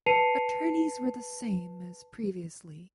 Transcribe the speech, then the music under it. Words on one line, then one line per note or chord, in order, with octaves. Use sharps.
Attorneys were the same as previously.
B4 A5 C7 C#7 D#7 F7